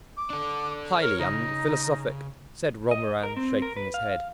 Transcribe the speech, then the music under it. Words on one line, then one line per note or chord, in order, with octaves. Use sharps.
"Highly unphilosophic," said Romarin, shaking his head.
D6
D4 A4
A#4 C#5
C#3 D#4
D#5
A#4
C4
A#4
B4
F5